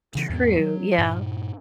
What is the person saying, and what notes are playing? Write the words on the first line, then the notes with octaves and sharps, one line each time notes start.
True, yeah.
C#3 E3
E2 G#2 G#3 B3
F#3
G2 A#2